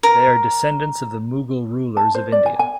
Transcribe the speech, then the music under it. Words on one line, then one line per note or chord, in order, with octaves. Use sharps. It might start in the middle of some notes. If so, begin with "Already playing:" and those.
They are descendants of the Mughal rulers of India.
A#4
A5
C5
D5
G#5
G#5